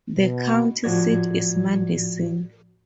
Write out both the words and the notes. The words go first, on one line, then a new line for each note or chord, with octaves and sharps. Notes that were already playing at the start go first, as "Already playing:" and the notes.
The county seat is Madison.
B2
A2 F3 F#4 D5 G#6